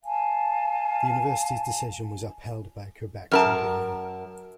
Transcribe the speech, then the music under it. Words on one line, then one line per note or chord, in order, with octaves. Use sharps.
The university's decision was upheld by a Quebec tribunal.
F5 G#5 A5
F#2 A#4 A5